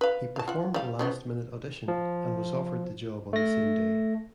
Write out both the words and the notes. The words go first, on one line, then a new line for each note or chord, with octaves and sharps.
He performed a last-minute audition, and was offered the job on the same day.
B4 F5
F5 A5
F4 F#5
G3 F5
C#3 F3 B3
F3
A3 A#6